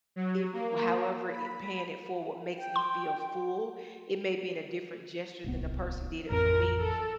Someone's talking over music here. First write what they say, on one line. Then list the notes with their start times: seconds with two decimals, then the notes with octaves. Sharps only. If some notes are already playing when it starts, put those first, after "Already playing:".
it however it paying it forward makes me feel full, it may be in a different gesture than the person did it for me,
0.16 F#3
0.53 A#3
1.32 B5
2.59 G5
2.76 C6
5.44 D1 C2 B3
6.30 A1 F2 A#4
6.80 A4